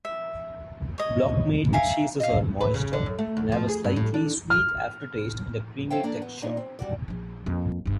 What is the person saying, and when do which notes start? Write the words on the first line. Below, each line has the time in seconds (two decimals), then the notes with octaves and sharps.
Block-made cheeses are moister, and have a slightly sweet aftertaste and a creamy texture.
0.05 E5
0.98 C#5 D#5
1.73 E5 F5 G#5 A#5
2.20 D#5 F5
2.61 B4
2.74 C#3
2.93 D3
3.06 F#2
3.19 A3
3.37 D2
3.52 F3
3.68 G#4
3.84 G2
3.96 A2
4.14 D4
4.50 F6
5.90 A4 C5 C#5 E5 F5 G5
6.03 A#3 D4 A4
6.22 B3
6.42 A#2 D4 D#4
6.57 C4
6.79 G3 F#4 D5
7.08 A#1 F3
7.46 F2 A#3
7.86 G1 G2